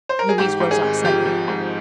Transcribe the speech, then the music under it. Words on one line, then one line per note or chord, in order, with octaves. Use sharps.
Louise rose up suddenly.
C5
A#4
G#4
G#2 G4
G#2
G#4
G#1
F3 G4
F3
G#2